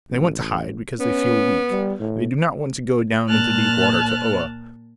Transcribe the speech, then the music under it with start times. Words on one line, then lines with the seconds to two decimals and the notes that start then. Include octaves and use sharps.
They want to hide because they feel weak; they do not want to go down into deep water to Oa.
0.10 A1
1.00 B3 C#4
1.71 G3
1.99 A2
3.28 A#2 A5 F6 F#6